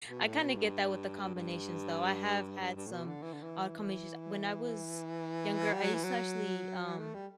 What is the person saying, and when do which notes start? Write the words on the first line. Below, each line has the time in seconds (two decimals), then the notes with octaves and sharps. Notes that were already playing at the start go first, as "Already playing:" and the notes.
I kinda get that with the combinations though. I have had some odd combinations. When I was younger, I used to actually, um
0.09 B2
0.25 A2
0.41 B2
0.57 G2
1.34 G2
2.60 G2
2.76 G2
2.86 A2
2.92 B2
3.07 D3
3.22 E3
3.33 D3
3.42 E3
5.73 G3
5.83 F#3
5.94 E3
6.04 F#3
6.99 A3
7.14 G3